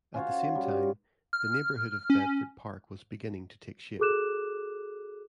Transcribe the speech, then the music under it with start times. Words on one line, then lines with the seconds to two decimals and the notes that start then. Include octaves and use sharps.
At the same time, the neighborhood of Bedford Park was beginning to take shape.
0.14 C#4 F4 F#4 C#5
0.55 G3
1.33 F6
2.10 C#4
3.99 F#4 G#4 A4 D6 F#6 E7